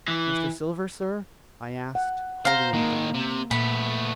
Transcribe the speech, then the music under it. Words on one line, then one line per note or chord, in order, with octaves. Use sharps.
"Mr. Silver, sir?" I asked, holding out the note.
E3
F#5
C5 F5 A#5
D#3 G#3 A#3
C3
A#2 A3 B3 B5